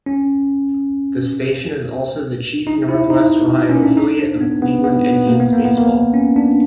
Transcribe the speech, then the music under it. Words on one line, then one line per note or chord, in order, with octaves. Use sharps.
The station is also the chief Northwest Ohio affiliate of Cleveland Indians baseball.
C#4
D#4
E4
D#4
C#4
D4
D#4
D4
B3
B3
B3
B3
A#3
B3
A#3
B3
A#3
C#4
D4